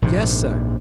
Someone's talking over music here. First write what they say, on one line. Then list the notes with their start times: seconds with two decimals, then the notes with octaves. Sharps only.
"Yes, sir."
0.02 A#1 G#2 C3